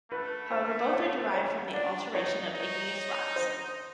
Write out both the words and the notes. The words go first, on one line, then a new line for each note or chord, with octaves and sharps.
However both are derived from the alteration of igneous rocks.
A3 B4
C5
C5
C#5
C#5
D4 D5
D#4 C#5
D#4
C5